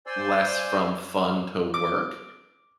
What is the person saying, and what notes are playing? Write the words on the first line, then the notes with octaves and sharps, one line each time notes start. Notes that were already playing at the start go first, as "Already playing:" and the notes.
less from fun to work,
C5 D5 G#5 C6 E6
D6